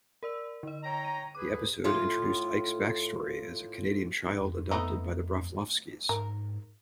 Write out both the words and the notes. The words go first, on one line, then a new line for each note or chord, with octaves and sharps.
The episode introduced Ike's backstory as a Canadian child adopted by the Broflovskis.
A#4 D5 E6
D3 D#5
C#5 G5 A#5
D#7
D#2 G#4 B4 D6
A2 F4
F2
A3 B3 D#4
G#2 A#4